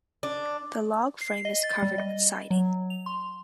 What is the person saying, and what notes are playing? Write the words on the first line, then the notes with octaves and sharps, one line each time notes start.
The log frame is covered with siding.
D4
C7
D#5
A6
G3
D#5
F#3
F7
C6